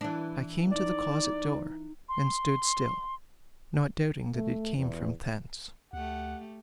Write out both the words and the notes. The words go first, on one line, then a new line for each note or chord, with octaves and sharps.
I came to the closet-door, and stood still, not doubting that it came from thence.
E3 D4
D#4 D5
C6
A3
E2
D2 A3 G4 F#5